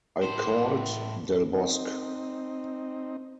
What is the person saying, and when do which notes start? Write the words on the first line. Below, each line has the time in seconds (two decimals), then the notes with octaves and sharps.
I called Del Bosque.
0.22 A2 C5
1.55 C4 D#4